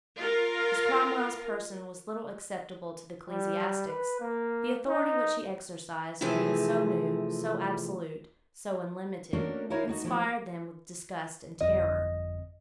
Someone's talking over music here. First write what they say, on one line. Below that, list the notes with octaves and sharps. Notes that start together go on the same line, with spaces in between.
As Cromwell's person was little acceptable to the ecclesiastics, the authority which he exercised, being so new, so absolute, so unlimited, inspired them with disgust and terror.
F4 A#4
G3
B4
A#3
D#4
C3 E3 F3 A3 G#4
A3 A#3 C#4 D4 F#4 A#4
D#4 E4 F#4 A#4 C#5 F5
A3 D#4 F#4
F3 A3 E4 F#4 C5
G1 F2 D#5